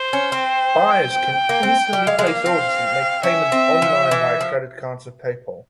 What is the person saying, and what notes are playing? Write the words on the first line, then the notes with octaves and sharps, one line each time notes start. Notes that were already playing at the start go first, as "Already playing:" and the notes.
Buyers can instantly place orders and make payments online via credit cards or PayPal.
Already playing: C5
C#4
C4
G5
A#3
C4
G3
G#3 F5
G#3
A#3
C4
C#4 E5
C4
F3
E3
F3